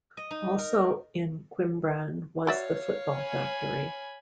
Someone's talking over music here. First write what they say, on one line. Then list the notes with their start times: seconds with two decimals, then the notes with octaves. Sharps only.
Also in Cwmbran was The Football Factory.
0.17 D#5
0.31 D#4
0.58 A#4
2.47 F#4 C#5 D5 E5 F5
3.17 G#5 B5